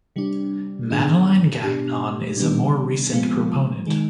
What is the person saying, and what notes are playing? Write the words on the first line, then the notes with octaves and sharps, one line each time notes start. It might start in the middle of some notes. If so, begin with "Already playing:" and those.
Madeleine Gagnon is a more recent proponent.
C3 G3 D4
G#2 D#3 B3 D4 G#4
B2 B3 D4 G4
D#3 G3 B3 D4
C3 F3 G#3 B3 F4
D#3 G#3